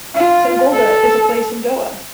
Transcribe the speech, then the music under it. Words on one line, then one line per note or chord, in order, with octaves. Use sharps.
Sangolda is a place in Goa.
F4
A4